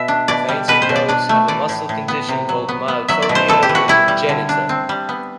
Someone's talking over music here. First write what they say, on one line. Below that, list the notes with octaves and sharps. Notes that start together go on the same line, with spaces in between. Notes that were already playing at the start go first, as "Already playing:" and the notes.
Fainting goats have a muscle condition called myotonia congenita.
Already playing: B2 E5
D4
B2 D5
G3
B2 B4
C5
B2
D5
D4 D5
A3
E3 D5
A2
A2
B3
C3
F#3
B3
B3
F#3 E5
D5
B2
C5
E3 A4
G4
E3
F#4
G3 E4
G3
D3
D4
C4
G3
B3